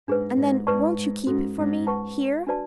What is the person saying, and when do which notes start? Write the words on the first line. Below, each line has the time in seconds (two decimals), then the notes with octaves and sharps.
And then--won't you keep it for me--here?
0.08 G#2 D4 G#4 B4
0.37 G#2
0.67 G#2 B4 D5 A5 C#6
0.97 G#2
1.27 G#2 C#4 F#4 A4
1.57 G#2
1.87 B4 F#5 A5 C#6
2.47 D4 F#4 B4 D5 A5